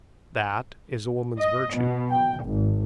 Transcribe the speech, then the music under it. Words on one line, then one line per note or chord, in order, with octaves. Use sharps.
That is a woman's virtue.
D#5
B2
G5
G#1